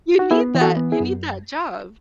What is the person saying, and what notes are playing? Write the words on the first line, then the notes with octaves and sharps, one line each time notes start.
You need that, you need that job.
F#4
B3 E4 G#4
E3
F#4 A4
B3
E4 G#4
F#2